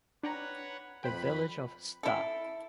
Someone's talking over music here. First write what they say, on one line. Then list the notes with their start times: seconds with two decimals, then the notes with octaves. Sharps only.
The village of Sta.
0.23 D4 B4 C#5 F#5 G5 A#5
1.04 F2 B4 C5 G5 B5
2.03 E4 A4